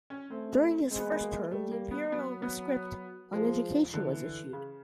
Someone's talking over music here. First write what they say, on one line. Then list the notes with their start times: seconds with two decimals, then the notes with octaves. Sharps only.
During his first term, the "Imperial Rescript on Education" was issued.
0.10 C#4
0.30 A3 C4
0.91 G#3 C4
0.99 B3
1.07 A#3
1.13 B3
1.21 A#3
1.51 G3 A3
1.72 A#3
1.91 B3
2.12 F#3 B3
2.42 B3
3.33 F3 G#3
3.93 D3 E3
4.53 C#3